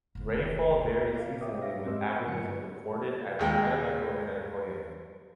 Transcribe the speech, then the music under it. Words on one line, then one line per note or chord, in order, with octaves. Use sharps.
Rainfall varies seasonally with averages of recorded at Catemaco and at Coyame.
F1 C#2
D5 F5
C#5 D#5 E5 G5 D6 D#6
E5 F5 A#6
G#2 G#3 C4 D#5 C6 E6
G#5 B5 C#6
G2 D3 F#3 C#7
D#2 G#3 G5